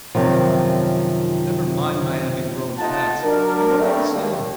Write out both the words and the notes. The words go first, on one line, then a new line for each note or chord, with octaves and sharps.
Never mind my having grown fat, I know all the same.
F#2 C3 D#3 F3
A3 D#4 F4 F#5 A5
F#3 D4 A#4
G2 A3
D#2